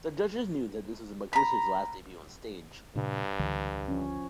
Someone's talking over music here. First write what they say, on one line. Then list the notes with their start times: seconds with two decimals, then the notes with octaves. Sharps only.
The Judges knew that this was McLish's last debut on stage.
1.33 A#5 B5
2.95 G2 A#2 C#3 D4
3.39 C#2 D3 E3
3.88 F3 C#4